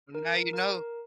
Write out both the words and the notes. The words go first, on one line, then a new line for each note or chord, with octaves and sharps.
Now you know.
A#4
A#4